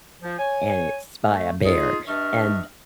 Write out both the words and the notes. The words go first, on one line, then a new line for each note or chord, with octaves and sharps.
and it's by, uh, Behr, and
F3
C#5 G#5
A3
D#4 F4 G#4
G2 D4 D#5 E5 C#6 F6